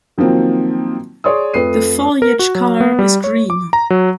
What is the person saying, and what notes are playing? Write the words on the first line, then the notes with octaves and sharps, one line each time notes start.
The foliage color is green.
D#3 F3 F#3 A#3 C4
G#4 C#5 D5 C6 D#6
F2 A3 B4 C7 D#7
A#4
F#4
F#3
B3
G3
C#5
D6
A#5
F#3